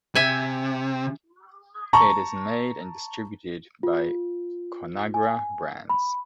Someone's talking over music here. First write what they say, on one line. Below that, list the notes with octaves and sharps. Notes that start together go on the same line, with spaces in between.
It is made and distributed by Conagra Brands.
C3 E5 G#5
A5 A#5 C#6
F4
G#5
B5